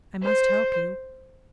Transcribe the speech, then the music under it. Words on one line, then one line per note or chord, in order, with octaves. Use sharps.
I must help you.
C5